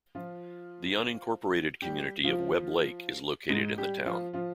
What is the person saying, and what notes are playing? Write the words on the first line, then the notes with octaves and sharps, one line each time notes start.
The unincorporated community of Webb Lake is located in the town.
F3 F4
G3 G4
F3 F4
G#2 G#3
G3 G4
F3 F4
F3 F4